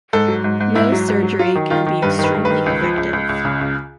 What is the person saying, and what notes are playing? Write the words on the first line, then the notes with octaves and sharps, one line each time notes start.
Mohs surgery can be extremely effective.
G#2 A4
F#3
G#2
G#2
G#2 E4
F#3
G#2
F#3
F#3 F4
D#3
D#3 F4
D#3
G2 B4
D#3 B4
G2
B4
D#3
C#2
F3
C#2
C#2
C#2
C#3
C#2